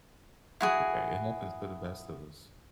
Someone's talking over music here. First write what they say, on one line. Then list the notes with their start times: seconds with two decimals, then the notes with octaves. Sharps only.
That's okay. It happens to the best of us.
0.61 E4 F#4 G#4